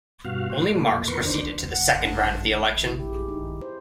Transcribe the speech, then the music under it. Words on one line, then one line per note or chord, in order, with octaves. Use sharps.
Only Marx proceeded to the second round of the election.
G2 B2 F#4 F5
A2 F#4 C5
A#2 A3
F2 A#2
E2 B3 A#4 B4 C6 C#6
D3 D#3 D4 C5
F#5
G2 D4
E4
G4
G#4
D#4
C5